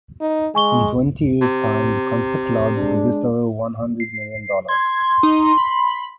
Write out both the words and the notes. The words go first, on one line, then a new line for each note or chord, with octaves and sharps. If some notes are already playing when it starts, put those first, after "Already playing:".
In twenty years time the Comstock Lode produced over one hundred million dollars.
D#4
G#3 G#5 C#6 G7
C3
G#3 D4
C7
C6 G#6
D#4
B5